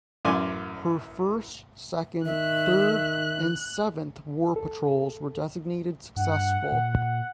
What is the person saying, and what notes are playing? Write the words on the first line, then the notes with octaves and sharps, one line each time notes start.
Her first, second, third, and seventh war patrols were designated successful.
A1 F#2 D5 G#5 C6
D#3 E5 F#6
A4
G2 F#5
A#2